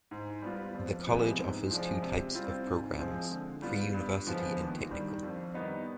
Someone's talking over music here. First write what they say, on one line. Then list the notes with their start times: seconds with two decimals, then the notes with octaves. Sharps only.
The college offers two types of programs: pre-university and technical.
0.11 G#2
0.42 G3 B3 F4
0.74 F2
1.06 C3 F3 G#3 B3
1.39 G#2
1.71 F3 G#3 D4
2.02 C3
2.34 G3 C4 F4
2.66 G#2
2.98 F3 G#3 C4
3.31 D3
3.62 G3 B3 F4
3.94 G2
4.26 D3 F3 G#3 B3
4.59 D#2
4.91 D#3 G3 D4
5.23 F2
5.54 D#3 G3 B3 D#4